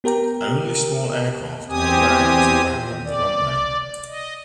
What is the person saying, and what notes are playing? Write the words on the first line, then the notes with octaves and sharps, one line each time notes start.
Only small aircraft are allowed to land on the runway.
B3 G4 A#4 G5 A#5
E2 C4 G4 G#5 D#6
A#2
D5
D#5